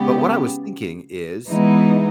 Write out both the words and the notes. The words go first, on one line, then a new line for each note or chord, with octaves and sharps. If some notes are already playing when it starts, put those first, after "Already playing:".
but what I was thinking is,
Already playing: C#3 G#3 B3 G4
E3 G#3 B3 D#4